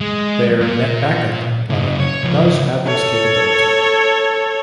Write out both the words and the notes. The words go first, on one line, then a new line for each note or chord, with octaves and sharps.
Their NetBackup product does have this capability.
G#3
A#2
F#2 C#3
C#5
C#3 F3
A4 C#5